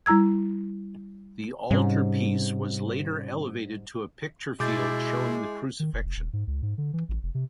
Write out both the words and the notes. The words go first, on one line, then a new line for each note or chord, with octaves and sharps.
The altarpiece was later elevated to a picture field showing the Crucifixion.
G3 E4 A#5 E6 G#6
G#2 C3 G3 C4 C#4
B2 G#3 E4 D6 G6 A6
D#3
F1
F1
D#1
G#2
C#2
G#2
D3
E3
A1
F1
C3